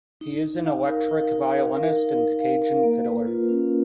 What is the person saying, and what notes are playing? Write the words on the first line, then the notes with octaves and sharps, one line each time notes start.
He is an electric violinist and Cajun fiddler.
D#4
D#4
F5
A#4
D#4
D#4
F5
A#4
D#4
D#4
F5
A#4
A#3
B4
F4
C#4